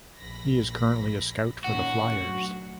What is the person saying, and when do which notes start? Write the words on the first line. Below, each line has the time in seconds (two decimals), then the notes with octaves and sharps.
He is currently a scout for the Flyers.
0.18 A#1 B5 A#6
1.64 A#2 D#3 C#4 F#4
2.15 D2 F#3